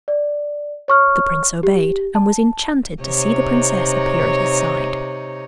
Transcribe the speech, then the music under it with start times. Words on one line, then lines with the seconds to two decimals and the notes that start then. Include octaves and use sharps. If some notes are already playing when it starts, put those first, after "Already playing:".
The prince obeyed, and was enchanted to see the princess appear at his side.
0.08 D5
0.88 C#5 C#6 F6
1.63 G4
2.15 A5
3.02 C3 D#4 C#5